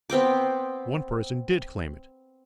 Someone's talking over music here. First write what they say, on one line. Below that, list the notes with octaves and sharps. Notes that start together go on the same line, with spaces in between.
One person did claim it.
B3 C4 G5 D6